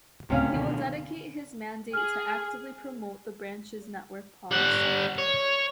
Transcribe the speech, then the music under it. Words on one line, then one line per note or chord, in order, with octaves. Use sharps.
He will dedicate his mandate to actively promote the branch's network policy.
D1 C#2 A2 C3 C#4 F5
B2 D3 D#3
G#4 F6 F#7
G3 F#5
C#5